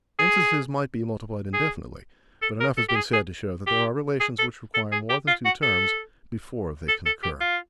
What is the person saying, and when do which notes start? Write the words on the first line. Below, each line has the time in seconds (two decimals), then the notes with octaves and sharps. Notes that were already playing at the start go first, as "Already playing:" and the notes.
Instances might be multiplied indefinitely, but enough has been said to show that there are relations which require more than two terms before they can occur.
0.19 G#4
1.53 G#4
2.42 A4
2.60 A#4
2.78 A4
2.89 G4
2.95 G#4
3.13 G#4
3.67 G4
4.20 G#4
4.39 A4
4.74 A4
4.92 G#4
5.10 G4
5.27 F4
5.45 F#4
5.63 A4
6.88 A4
7.06 A4
7.23 G4
7.41 F4